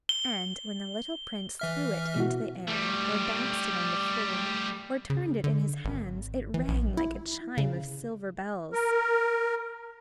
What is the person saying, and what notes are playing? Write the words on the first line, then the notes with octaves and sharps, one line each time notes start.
And when the little prince threw it into the air, or bounced it on the floor or turned it in his hands it rang like a chime of silver bells.
G7
E3 E5 F6
B2 E4 F#4
G3 A3
C#3
D3
G#1
E3
A#1
E4
C#3
A#4